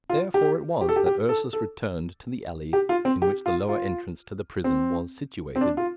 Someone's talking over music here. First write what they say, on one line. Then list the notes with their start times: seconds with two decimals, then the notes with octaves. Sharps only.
Therefore it was that Ursus returned to the alley in which the lower entrance to the prison was situated.
0.10 F4
0.34 G4
0.81 G4
0.89 A4
0.96 G4
1.06 G4
1.29 A4
1.53 A4
2.73 G4
2.89 F4
3.05 C4
3.22 G4
3.46 F4
3.69 F4
4.64 C4
5.56 C4
5.61 D4
5.77 F4